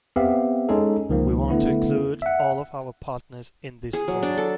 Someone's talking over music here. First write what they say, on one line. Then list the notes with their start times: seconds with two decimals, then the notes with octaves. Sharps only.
We want to include all of our partners in this project.
0.16 B3 C4 G4 E5 F5
0.69 G#3 C#4 D#4 A4
1.09 C#2 D#3 F3 A#3
1.50 D3 A3 B3 E4
2.22 E5 F#5
3.93 G#4
4.08 F#3
4.23 D4
4.38 A4